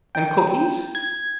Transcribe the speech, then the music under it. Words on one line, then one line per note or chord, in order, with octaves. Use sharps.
"And cookies?"
G5
G#6